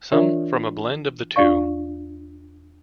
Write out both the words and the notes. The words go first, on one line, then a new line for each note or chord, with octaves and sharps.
Some from a blend of the two.
E3 D4 F4 A#4 C#5 E5
E2 D4 F4 D5 F5 C#6